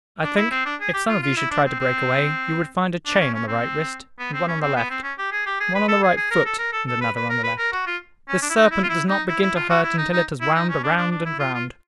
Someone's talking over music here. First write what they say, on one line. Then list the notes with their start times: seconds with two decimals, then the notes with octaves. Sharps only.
I think, if some of you should try to break away, you would find a chain on the right wrist, and one on the left; one on the right foot, and another on the left. This serpent does not begin to hurt until it has wound around and round.
0.23 D4
0.37 E4
0.51 C4
0.65 D4
0.80 G#4
0.94 G4
1.09 F4
1.22 F4
1.37 E4
1.51 D4
1.65 C4
1.79 C4
3.06 D4
3.20 C#4
3.34 C#4
3.48 C4
4.19 B3
4.33 C4
4.48 C#4
4.61 C4
4.76 B3
4.90 C4
5.03 C#4
5.18 G4
5.32 G#4
5.46 G4
5.60 G#4
5.75 B4
5.88 A4
6.03 G#4
6.17 G#4
6.31 A#4
6.45 A4
6.58 A#4
6.72 A4
6.87 A4
7.01 B4
7.16 B4
7.29 A#4
7.43 B4
7.58 A#4
7.72 F#4
7.86 F4
8.28 C#4
8.42 D4
8.50 E4
8.56 D#4
8.71 E4
8.83 F4
8.89 E4
9.09 D#4
9.28 E4
9.42 E4
9.56 F4
9.69 F#4
9.83 E4
9.98 D#4
10.13 D#4
10.41 E4
10.54 D#4
10.69 C#4
10.83 D4
10.97 D4
11.11 D4
11.25 E4
11.39 F4
11.54 F4